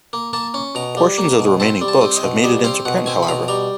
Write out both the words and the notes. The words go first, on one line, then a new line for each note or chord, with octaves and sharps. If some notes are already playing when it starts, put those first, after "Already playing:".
Portions of the remaining books have made it into print, however.
A#3
A#3 A5
C#4
B2 A#5
G3
A#3
B2
C4 A5
G3
A5
C4
D#5
B2
G3 D#5
C4 F5
B2 F#5
C4 G#5
B5
B2 A#5
G3 A#5